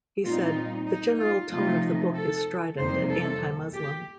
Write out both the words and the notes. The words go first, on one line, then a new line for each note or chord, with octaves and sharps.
He said: The general tone of the book is strident and anti-Muslim.
A#2 G3 C4 D#4 F4
D#4
F4
C3 F3 A3 D#4 F4
A4
F2 C3 G3 A#3 D#4 C5
A4
G4